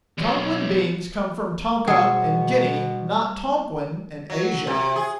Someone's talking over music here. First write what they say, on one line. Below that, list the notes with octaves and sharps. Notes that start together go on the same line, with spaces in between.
Tonquin beans come from Tonka, in Guinea, not Tonquin, in Asia.
B1 E2
B2 G3 G#4 C5 C#5 F#5
F#3
C3
G#4